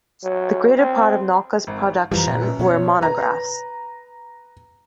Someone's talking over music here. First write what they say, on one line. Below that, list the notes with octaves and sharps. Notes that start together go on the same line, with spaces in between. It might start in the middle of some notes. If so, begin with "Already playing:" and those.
The greater part of Nauka's production were monographs.
F#3
C4
G#1
F#2 E3 F3 G3 B4 A#5
A#2
F#2
B2 C#5
B4 A#5